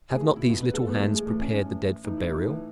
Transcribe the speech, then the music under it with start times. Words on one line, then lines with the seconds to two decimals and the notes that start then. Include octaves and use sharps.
Have not these little hands prepared the dead for burial?
0.10 A2 E3 G#4
0.23 F#4
0.36 E4
0.48 B2 F#4
0.62 B4
0.74 A4
0.87 A2 E3 B3
1.00 A3
1.14 G#3
1.26 A2 E3 A3
1.39 C#4
1.52 C#4
1.65 A2 E3
2.04 A2 E3 D#4
2.17 E4
2.30 D#4
2.43 A2 E3